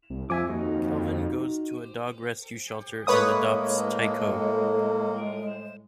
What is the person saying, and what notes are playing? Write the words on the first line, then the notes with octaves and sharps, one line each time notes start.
Calvin goes to a dog rescue shelter and adopts Tyco.
C2
F2 F3 E5 G#5 D6
D#2 D#4 F#4
A2 G#3 A#3 B4 C#5 D#6